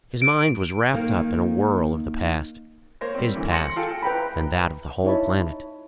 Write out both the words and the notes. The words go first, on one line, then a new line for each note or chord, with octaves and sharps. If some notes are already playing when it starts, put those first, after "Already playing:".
His mind was wrapped up in a whirl of the past--his past and that of the whole planet.
D7
D#3 A#3
A#3 C5 C#5 A#6
G3 C4
D2 E3
C6 A#6 C#7 F#7
F4 G#4 A4 G5 A5
B4 G5 A#5 B5
D#4 E4 C#5 A5 B5